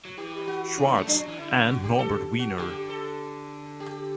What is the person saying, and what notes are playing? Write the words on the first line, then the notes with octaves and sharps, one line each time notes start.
Schwartz, and Norbert Wiener.
F#3
E3 G4
F#4
C#4
A3
G3 D4
F#3
E3
D3 E4
F#4
G4
A4
F#4
D3 G4
A4
G4